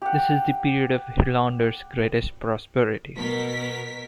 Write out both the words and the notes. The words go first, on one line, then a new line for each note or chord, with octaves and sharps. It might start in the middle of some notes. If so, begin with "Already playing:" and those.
This is the period of Hilandar's greatest prosperity.
G4 F#5
B2 A#4 B6